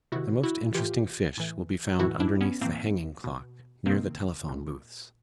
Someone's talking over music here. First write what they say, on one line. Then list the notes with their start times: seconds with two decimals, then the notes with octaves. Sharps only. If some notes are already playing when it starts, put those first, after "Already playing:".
The most interesting fish will be found underneath the hanging clock, near the telephone booths.
0.12 C3 D#3 E4 F#4
0.44 E4 F#4
0.74 A2 E3 F4 G4
1.37 A2 E3
1.99 A2 E3 E4 F#4
2.20 D4 E4
2.41 B3 C#4
2.61 A2 E3 A#3 C4
3.24 B2
3.86 C3 D#3 A#3 C4
4.49 A#2